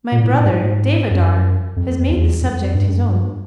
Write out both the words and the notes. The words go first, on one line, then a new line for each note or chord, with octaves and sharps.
My brother, Devadhar, has made the subject his own.
A#2
A2
A2
G#2
F#2
F2
E2
F2
G2
F#2
G2